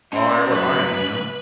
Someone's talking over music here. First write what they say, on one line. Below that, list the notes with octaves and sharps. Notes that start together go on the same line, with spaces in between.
are or aren't, you know?
C#4 C6
F#2 B4 B5